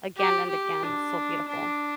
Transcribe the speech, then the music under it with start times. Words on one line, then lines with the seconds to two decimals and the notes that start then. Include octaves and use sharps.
again and again. it was so beautiful.
0.17 G4
0.50 G4
0.83 D4
1.49 D4